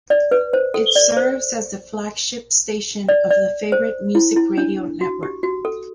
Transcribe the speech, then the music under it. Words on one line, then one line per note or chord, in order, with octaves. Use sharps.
It serves as the flagship station of the Favorite Music Radio network.
D5
B4
C5
A4
D5
C5
D5
D5
C5
E4
E4
D4
F#4
G4
F#4
A4